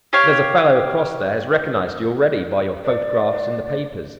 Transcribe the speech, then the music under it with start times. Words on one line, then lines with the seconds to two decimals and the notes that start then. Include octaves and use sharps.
There's a fellow across there has recognised you already by your photographs in the papers....
0.13 G4 C#5 F5
2.84 D5